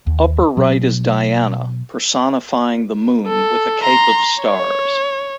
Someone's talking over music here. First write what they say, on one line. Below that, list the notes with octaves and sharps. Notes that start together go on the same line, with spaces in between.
Upper right is Diana, personifying the moon, with a cape of stars.
D#2
B2 F#3
A4
A#5 C6
C#5